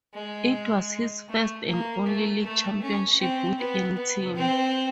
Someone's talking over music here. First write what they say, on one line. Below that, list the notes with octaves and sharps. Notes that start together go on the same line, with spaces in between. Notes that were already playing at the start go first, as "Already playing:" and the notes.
It was his first and only league championship with any team.
G#3
A3
A#3
A3
A3
C#4
C4
B3
B3
C4